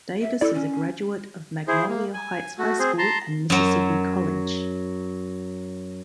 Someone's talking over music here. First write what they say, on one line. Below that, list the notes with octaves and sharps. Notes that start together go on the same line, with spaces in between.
Davis is a graduate of Magnolia Heights High School and Mississippi College.
E5
E4 A4 D5
C#4
E4 G#4 C5
A#3
G#5
A3 F#4
C4 G#4 C5
A5 A#5 C6
F#2 F#3